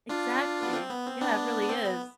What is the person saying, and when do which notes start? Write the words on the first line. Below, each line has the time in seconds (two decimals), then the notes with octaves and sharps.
Exactly. Yeah, it really is.
0.09 D4 F4
0.63 B3
0.73 C4
0.90 B3
1.06 C4
1.21 B3 D4
1.62 B3
1.69 C4
1.85 B3